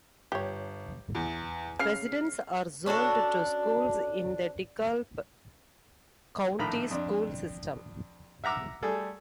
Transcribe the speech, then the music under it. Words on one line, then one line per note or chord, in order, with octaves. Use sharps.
Residents are zoned to schools in the DeKalb County School System.
G1 G4 C#5
E2
C#3 F6 C7
C#4 D4 F#4 A4
A#1 A2 D#3 A#5 B5
F2 D4
E5 F#5 A#5 D6 E6
G3 A3 G#4 A4